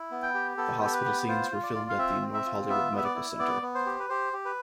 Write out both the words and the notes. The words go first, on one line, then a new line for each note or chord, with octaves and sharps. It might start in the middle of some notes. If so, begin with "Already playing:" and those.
The hospital scenes were filmed at the North Hollywood Medical Center.
Already playing: E4
B3
G5
G4
B3 A4
G4 A4
B4
B3
F4 C5
F4
D5
F4
F5
C4 E5
C4
E5
F4
B3 E5
B3
E5
D5
E4
B3 D5
B3
C5
G4
B4
G4 C5
G4
B4